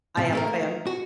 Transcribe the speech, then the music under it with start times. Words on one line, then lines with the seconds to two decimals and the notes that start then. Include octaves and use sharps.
I am a fan.
0.17 A2 C3
0.33 A3 A#3 A#4
0.87 F#4